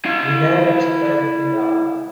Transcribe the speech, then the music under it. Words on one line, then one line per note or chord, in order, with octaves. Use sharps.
He never spelt it out.
E4 F5